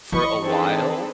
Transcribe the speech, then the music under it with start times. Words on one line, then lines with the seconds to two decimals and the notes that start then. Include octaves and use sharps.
for a while,
0.12 E3 D#5 B5 C#6
0.41 C4 D4 D#4 G#4 A4 B4